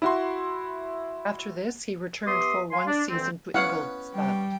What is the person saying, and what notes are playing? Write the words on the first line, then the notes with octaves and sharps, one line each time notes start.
After this he returned for one season to Ingolstadt.
E4 F#4 C6
B3 G4 E5 C6 D#6
F5 G#5 C6
D4
D2 E3 C4
B3 C#4 E4 F5 F#5
G3 G5